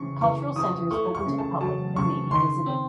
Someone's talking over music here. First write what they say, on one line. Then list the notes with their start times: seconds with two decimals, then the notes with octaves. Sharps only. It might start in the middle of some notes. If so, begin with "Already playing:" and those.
The cultural center is open to the public and may be visited.
Already playing: C#3 E3 C#6
0.21 E3 C#6
0.56 E3 D#6
0.91 A3 C#6
1.15 C#6
1.26 C#3
1.38 A5
1.61 F#3 A5
1.96 C#3 C#6
2.31 D#3 C6
2.66 C4